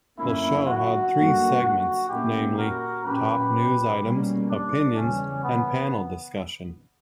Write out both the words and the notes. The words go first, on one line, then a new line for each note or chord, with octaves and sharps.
The show had three segments, namely: Top News Items, Opinions, and Panel Discussion.
F#2 D3 A#3 C#4 E4
F#4
F#2 D3 G3 A#3
F#4
A#2 A#3 C#4 E4 G4
F#4 A#4
A#2 F#3 C#4 G4 B4
B2 G3 A#3 C#4
D4
E2 C#3 G3 C#4
B3